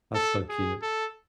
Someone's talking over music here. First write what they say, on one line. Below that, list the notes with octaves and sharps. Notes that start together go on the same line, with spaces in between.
That's so cute.
A4
G#4
A4